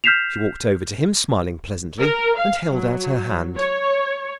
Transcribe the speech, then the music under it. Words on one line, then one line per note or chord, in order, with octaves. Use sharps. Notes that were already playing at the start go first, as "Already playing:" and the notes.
She walked over to him, smiling pleasantly, and held out her hand.
F6 G6 B6 C7 E7 F7
A#4
F5
F#3
C#5